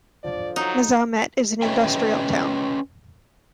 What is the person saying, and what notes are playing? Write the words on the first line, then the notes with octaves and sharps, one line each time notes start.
Mazamet is an industrial town.
D3 F3 D5
F#3 D#4
C#4 B4 C#5 D#5 E5 G5